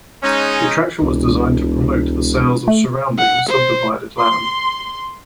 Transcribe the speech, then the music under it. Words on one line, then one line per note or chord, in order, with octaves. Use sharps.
The attraction was designed to promote the sales of surrounding, subdivided land.
G#3 C#4 D#4
E1 C#2
A3
F#5
C5
C6